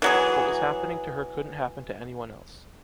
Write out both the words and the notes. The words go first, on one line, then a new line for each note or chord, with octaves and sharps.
What was happening to her couldn’t happen to anyone else.
E3 F#3 G#4